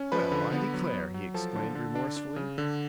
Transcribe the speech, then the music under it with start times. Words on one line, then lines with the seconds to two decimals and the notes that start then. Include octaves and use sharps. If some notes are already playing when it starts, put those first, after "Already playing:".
"Well, I declare!" he exclaimed remorsefully.
Already playing: C#4
0.12 F3 B4 B5
0.32 D3
0.52 B3
0.74 F#3
0.94 F#3
1.14 F#3
1.34 F3 A4 A5
1.55 D3
1.75 D3
1.95 D4
2.17 D4
2.36 C#3
2.58 D3